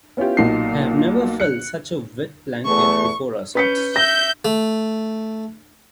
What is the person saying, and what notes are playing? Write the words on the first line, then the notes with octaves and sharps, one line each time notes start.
I have never felt such a wet blanket before or since.
B3 C#4 E4 F4 G4
B1 A#2 D#4 C7
F#6 C#7
E2 A3 C#6
C#4 B4 G6 B6 C#7
E5 G6 A#6
A3